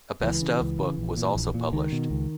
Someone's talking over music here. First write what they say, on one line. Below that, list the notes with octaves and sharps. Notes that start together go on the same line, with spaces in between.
A "Best of" book was also published.
C#2 E3
C#3
C#2
C#3
A#1
A#2
A#1
A#2
C#2 D#3
B2
C#2